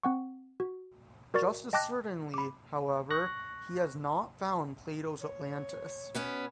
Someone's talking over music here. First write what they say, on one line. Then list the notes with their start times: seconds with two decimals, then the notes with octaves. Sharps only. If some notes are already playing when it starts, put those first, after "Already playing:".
Just as certainly, however, he has not found Plato's Atlantis.
0.03 C4 F#5 C#6
0.60 F#4
1.34 F#4 A#4 D5 C#6 A6
1.73 D#5 G5 A5 D6 F#6 A#6
2.34 B5 D6
3.11 C#6 F#6 A#6
5.21 C#5
6.15 B2 B3 C#4